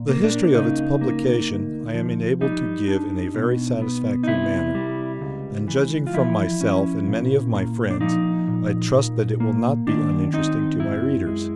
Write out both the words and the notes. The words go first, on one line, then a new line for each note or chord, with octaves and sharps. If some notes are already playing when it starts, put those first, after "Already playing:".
The history of its publication I am enabled to give in a very satisfactory manner; and judging from myself, and many of my friends, I trust that it will not be uninteresting to my readers.
Already playing: A#2
A#3
D4
C#3 D#4
A#3
D2
F3
G3 D#4
D4
B2
B3
D#4
C3 E4
G3
C#2
E3
F4
F3 E4
C#4
A#2
A#3
D4
F3 D#4
A#2
A#2
A#3
D#3 D4
C4 D#4
F#2 E4
G#3